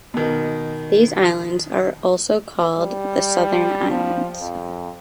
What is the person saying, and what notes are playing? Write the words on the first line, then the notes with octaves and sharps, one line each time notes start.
These islands are also called the "Southern Islands".
B2 D#3
G3
F3
F2